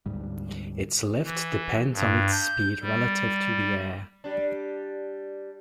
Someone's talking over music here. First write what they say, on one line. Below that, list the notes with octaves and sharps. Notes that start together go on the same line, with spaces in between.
Its lift depends on its speed relative to the air.
D2 G#2 G3
E3
G2
G6
G3
G3 D4